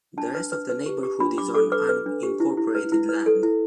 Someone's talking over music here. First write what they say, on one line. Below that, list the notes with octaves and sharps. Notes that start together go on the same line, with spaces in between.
The rest of the neighborhood is on unincorporated land.
D4 A5
B4
B4
B4
G4
G4
D4 B5
D4 D6
A4 D6
B4 D6
B4
D4
G4
E4
E4
B4
E4
B4
A4
E4